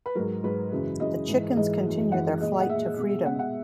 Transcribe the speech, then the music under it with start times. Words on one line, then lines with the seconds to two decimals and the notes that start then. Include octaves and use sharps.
The chickens continue their flight to freedom.
0.06 B4
0.15 G#2 F#3 A#4
0.44 G#2 F#3 B4
0.72 F#2 C#3 E3 G#3
1.00 F#2 C#3 E3 G#3 D#5
1.28 G#2 E3 G#3
1.57 G#2 E3 G#3 D#5
1.84 F#2 E3 G#3
2.12 F#2 E3 G#3 F#5
2.41 A#2 G#3 D#5
2.60 F#5
2.69 A#2 G#3 E5
2.96 B2 G#3
3.25 B2 G#3 F#5
3.39 F#5